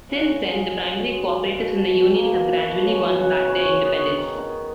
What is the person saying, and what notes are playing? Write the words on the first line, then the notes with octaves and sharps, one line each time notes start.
Since then, the primary co-operatives and their union have gradually won back their independence.
C#3 F#5
G#3 F5
F#2 F#5
G#3
B2 F5
B2
A#3
B2
C#3 C#5
C#3 B4
C#3 C#5
B3 C#5
D#3